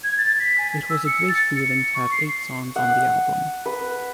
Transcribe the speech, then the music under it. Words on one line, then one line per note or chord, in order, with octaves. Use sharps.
It was a great feeling to have eight songs on the album.
G#6
A6
B6
G#5
E6
C#7
A6
C#7
C#6
C7
F#5
B4